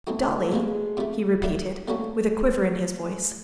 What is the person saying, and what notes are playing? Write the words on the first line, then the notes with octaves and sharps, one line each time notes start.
"Dolly!" he repeated, with a quiver in his voice.
G#3 A3 C4 D#4 F#4
B2 G3 G#3 A#3
C3 F3 A3
F#3 A3 D4
G3 A3 A#3 C#4 F#4